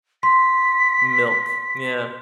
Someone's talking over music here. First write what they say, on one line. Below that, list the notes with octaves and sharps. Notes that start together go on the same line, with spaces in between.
Milk, yeah.
C6 B6